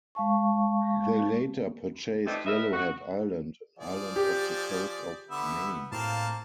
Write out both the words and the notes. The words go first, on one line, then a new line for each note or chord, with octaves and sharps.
They later purchased Yellowhead Island, an island off the coast of Maine.
G#3 F5 A5 C#6
E3 F3 G3 A3 C4 D#4
A#4 B4 D#5 E5
F#4
F3 G#4 D5
G4
D3 B3 E5
A2 A#3 C4 F5 A5